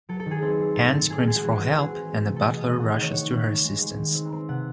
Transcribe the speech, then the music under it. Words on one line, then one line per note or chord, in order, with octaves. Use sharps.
Ann screams for help and a butler rushes to her assistance.
F#3 A4
A4
D#3
G#4
C4 A4
C4
A2 A4
A2
A2 G#4
A4
G#3 G#4
F#4
E3 G#4
F#4
C4
G#4
E3 G#4
C4
A3
C3
A4
A3 G#4
D#5
C4
D#5
D#3 F#5
D#3
C#5
D#3 C#5
D#3
D#3
G#3
G#3
D#3
C4
C4
C3 F#5